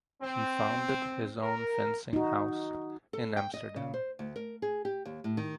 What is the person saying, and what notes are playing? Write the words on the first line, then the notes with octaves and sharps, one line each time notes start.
He founded his own fencing house in Amsterdam.
C4
A#4
D#4 F#4
A4
G5
D#5
C#3
C5
D2
A#4
G#4
G4
D#2
A2
D#3